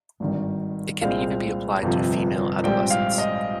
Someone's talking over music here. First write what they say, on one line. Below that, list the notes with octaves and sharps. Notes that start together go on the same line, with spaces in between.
It can even be applied to female adolescents.
G#1 G2 D#3
C2 A#2 G#3 C4 F5
G1 F2 C3 F3
A#1 G#2 G3 C4 G5
F5
D#5